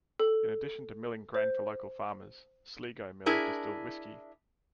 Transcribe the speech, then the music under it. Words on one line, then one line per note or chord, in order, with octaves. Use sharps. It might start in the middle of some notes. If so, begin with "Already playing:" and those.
In addition to milling grain for local farmers, Sligo Mill distilled whiskey.
A4
C5
D4 E4 G#4 A#4